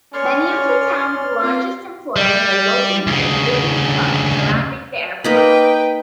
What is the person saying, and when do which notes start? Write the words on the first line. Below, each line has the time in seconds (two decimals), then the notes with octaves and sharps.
Many of the town's largest employers are located in business parks surrounding the airport.
0.14 C#4 C#5 D5 C6 F6
1.40 C4 F4
2.16 G3
3.07 D2 C#3
5.24 A#3 D#4 B4 G5 B5